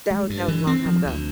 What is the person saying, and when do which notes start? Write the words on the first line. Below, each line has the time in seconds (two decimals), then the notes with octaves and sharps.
That wa that was a long time ago.
0.11 G#3
0.30 G2
0.48 E3
0.67 C4
0.86 F3
1.05 D2